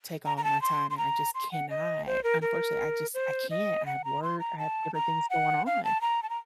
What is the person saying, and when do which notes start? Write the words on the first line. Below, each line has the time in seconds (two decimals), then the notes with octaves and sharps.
take all of my time, and I just cannot. Unfortunately, I just I can't. I have work, I have different things going on,
0.26 A#5
0.37 A#5
0.44 A5
0.62 C6
0.90 C6
0.98 A#5
1.35 C6
1.52 F#5
1.70 D#5
2.07 C5
2.24 A#4
2.42 A#4
3.14 C5
3.50 D#5
3.86 F#5
4.04 A#5
4.23 C6
4.40 A#5
4.58 A5
4.94 A#5
5.30 F#5
5.66 F5
5.84 A5
6.01 A#5
6.23 A5
6.30 A#5